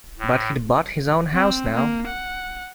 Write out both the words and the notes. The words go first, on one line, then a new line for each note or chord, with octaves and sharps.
But he'd bought his own house now.
A2
C4
A#3
F#5